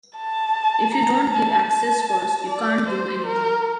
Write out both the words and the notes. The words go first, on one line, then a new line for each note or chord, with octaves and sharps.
If you don’t give access first, you can’t do anything.
A5
A#5
A5
A5
D5
C5
A#4